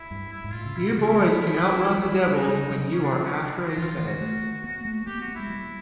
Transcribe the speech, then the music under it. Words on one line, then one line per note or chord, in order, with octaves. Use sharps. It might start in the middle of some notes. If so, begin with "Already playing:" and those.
You boys can out-run the devil when you are after a Fed.
Already playing: E4
G2
E4
G#2
A2 F4
C#3
B2 E4
F#4
C#3 F4
E4
F4
F#3 E4
F#3
F3
F#3
G3 E4
E4
G3
D#4
G3
F#3
C#4
D4
D4
C#4
C#4
D4
E4
F#4
E3 F4
F4
D#3
F#4
A3
A#3
A3
A#3 G4
B3
F#4
A#3
G#3 E4
G3